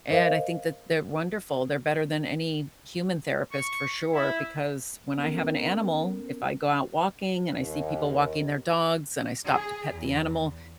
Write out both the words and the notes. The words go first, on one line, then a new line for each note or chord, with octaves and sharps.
and I think that they're wonderful. They're better than any human therapist for sure because when I have an animal, if I go out walking and I see people walking their dogs and I stop to pet the animal,
A#4 C5 D#5 F5
C#6
E4
B3 C#4 A4 A#4
D#2
G#4
E2